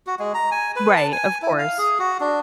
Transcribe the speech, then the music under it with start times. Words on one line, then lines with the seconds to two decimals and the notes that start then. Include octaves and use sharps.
Right, of course.
0.07 F#4
0.19 G#3
0.34 A#5
0.51 G#5
0.76 B4
0.96 A5
1.12 G#5
1.42 E4
1.59 F5
1.78 G#4
1.99 F#4
2.20 D4